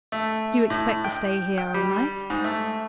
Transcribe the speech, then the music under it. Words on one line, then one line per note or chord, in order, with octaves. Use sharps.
"Do you expect to stay here all night?"
A3
A2
G5
G5
G3
G#2
A3